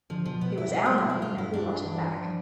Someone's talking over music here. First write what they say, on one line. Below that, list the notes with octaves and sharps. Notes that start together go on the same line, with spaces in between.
It was our money and we want it back.
D3 F3
B2 F3
B2 B3
G3 E4
C4
G3 D4
G3 C4
D4
B2 E4
A3 F4
G2 E4
G2 D4
G2
E3
G2
F3